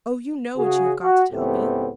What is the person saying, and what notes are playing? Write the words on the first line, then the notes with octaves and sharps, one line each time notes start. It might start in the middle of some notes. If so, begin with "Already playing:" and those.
Oh, you know what you have got to tell me!
C#3 F#4 G#4
F#4
C#2 A2 A3 B3 C4 G4